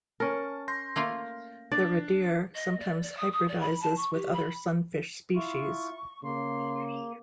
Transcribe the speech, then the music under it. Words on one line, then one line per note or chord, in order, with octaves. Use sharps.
The redear sometimes hybridizes with other sunfish species.
C#4 A#4 A5
C6 G6 A#6
A3 A#3 F4
D4 D5
D#5
D5
D5
D#6
D#6
D5
B5
A5
C#6
G4
B5
E4 F4 C#6
C#3 A#3 C6